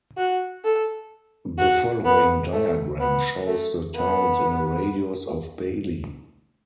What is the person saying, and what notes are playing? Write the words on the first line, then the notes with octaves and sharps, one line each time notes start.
The following diagram shows the towns in a radius of Bailey.
F#4
A4
F#4
B3
A3
B3
A3
B3